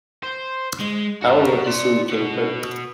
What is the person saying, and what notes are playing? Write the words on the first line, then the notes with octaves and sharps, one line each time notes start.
However, he soon became a critic.
C5
G#3
F#4 A#4
D5 C6
F#4 B4